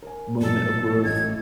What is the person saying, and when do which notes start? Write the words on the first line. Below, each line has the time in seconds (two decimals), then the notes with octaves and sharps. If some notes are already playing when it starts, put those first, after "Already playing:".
moment of growth
0.02 A#4 G#5
0.41 B2 E3 F#3 A4
1.04 A1 D#5 G#6